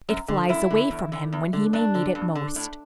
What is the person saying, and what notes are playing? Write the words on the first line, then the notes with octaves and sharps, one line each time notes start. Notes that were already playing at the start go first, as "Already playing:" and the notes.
It flies away from him when he may need it most.
F#2
D3
F#2 E4
D3
E2
D3
E2
D3
G2 D4
D3
G2
D3
A2